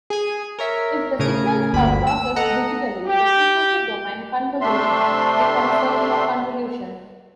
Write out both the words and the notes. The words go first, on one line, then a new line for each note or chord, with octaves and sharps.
If the signals are processed digitally, the frequency-domain convolution becomes circular convolution.
G#4 G#5
A#4 C#5 E5
A2 C#3 A#4 D#6 G#6 D7
G1 D2 A#3 B5
E6
A4 D#5 F#5 A#5
G4
C3 A3 D4 E5 C6